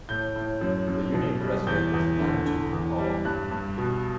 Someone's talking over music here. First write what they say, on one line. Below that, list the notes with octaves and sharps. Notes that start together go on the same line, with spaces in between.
The union president is Nantu Paul.
A2 G6
A2
F#2
F#2
B2
G3
E2 G6
E2
D3
D3
E2
G3
G2 F#6
G2
B2